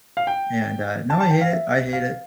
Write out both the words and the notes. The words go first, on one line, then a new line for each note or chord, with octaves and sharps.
And, uh, now I hate it, I hate it.
F5
G5
A5
A5
G5
F5
E5
F5